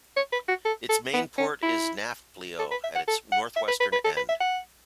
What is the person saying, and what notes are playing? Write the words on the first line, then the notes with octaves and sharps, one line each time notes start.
Its main port is Nafplio, at its northwestern end.
C#5
B4
F#4
A4
A4
B3
C#4
E4
A4
B4
E5
F#5
A4
F#5
E5
B4
B4
B4
A4
B4
E5
F#5